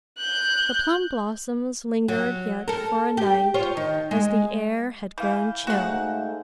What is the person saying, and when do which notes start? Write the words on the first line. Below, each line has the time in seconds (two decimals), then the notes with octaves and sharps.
The plum-blossoms lingered yet for a night as the air had grown chill.
0.18 F#6 G6
2.08 F#3
2.68 A4 A#4
3.17 G4
3.54 F4 C5 C#5
3.77 D#3
4.11 G#3
5.18 E3 F5 G#5 G6
5.67 G#2 A3 F#4 F#5